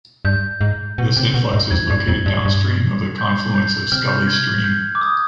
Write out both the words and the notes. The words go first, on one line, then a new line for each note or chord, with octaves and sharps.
This influx is located downstream of the confluence of Scully stream.
G2 G6
G#2
B2
C3
B2
G#2
F2 G#6
G2
F2
G2
G2
G6
G6
C3 F6
G6
G#6
G6
D6
D#6